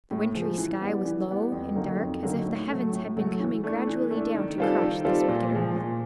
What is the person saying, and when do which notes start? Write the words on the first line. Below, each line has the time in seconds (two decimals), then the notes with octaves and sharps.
The wintry sky was low and dark, as if the heavens had been coming gradually down to crush this wicked earth.
0.11 A2
0.35 F3 G#3
0.58 E3
0.82 G3 B3
1.05 E3
1.28 G3 B3
1.52 F2
1.75 D3 F#3 A#3 D#4
1.99 F2
2.23 D3 F#3 A#3 D#4
2.46 A2
2.69 F#3 A3
2.93 A2
3.17 F#3 A3
3.40 E3
3.64 A3 D4
3.87 E3
4.11 A3 D4
4.34 D#3
4.58 G3 C4 F4 A4
4.82 D#3
5.05 G3 C4 F4 A4
5.28 A#2
5.52 F3 G#3
5.76 A#2